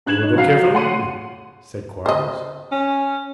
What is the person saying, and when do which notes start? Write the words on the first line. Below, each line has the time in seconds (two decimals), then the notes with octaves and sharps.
"We'll go carefully," said Quarles.
0.06 G2 F#6 G#6 E7 F#7
0.21 C#4 D#4
0.35 F#3 F#4 F5 C7
0.74 C#5 F#5 C6 D#7
2.06 C5 D#5
2.72 C#4